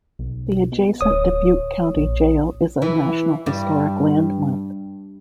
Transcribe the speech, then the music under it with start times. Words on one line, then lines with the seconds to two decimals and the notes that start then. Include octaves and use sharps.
The adjacent Dubuque County Jail is a National Historic Landmark.
0.19 B1
0.72 B2
1.01 D1 C#5 D#6
1.96 A#1
2.82 E3
3.46 G2